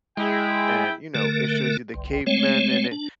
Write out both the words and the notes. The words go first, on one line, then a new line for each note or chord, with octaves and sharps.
and, you know, it shows you the cavemen and it
G#3 E4 G#4 G5
D3 A3 A#4
G1 C2
G#3 A3 C4 C#5
D4